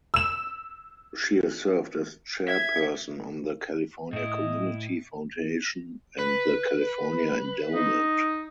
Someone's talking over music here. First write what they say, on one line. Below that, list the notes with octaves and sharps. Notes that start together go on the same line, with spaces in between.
She has served as chairperson on the California Community Foundation and The California Endowment.
E6 E7
E5 G#6
A2 E4 D#5
B4
D#4